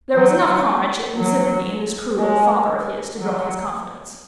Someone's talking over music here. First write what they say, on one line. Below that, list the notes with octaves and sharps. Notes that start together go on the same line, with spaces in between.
There was enough comradeship and sympathy in this crude old father of his to draw his confidence.
F#3
F#3
G#3
F#3